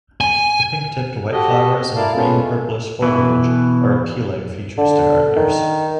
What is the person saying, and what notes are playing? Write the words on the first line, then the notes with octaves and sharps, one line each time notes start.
The pink tipped white flowers and green purplish foliage are appealing features to gardeners.
G#5
F#4 G4 A4 D#5
A#3 E4 A#4 D5 F5 A5
G#3 B3 C#4 F4 A4
B2 E3
D3
D#3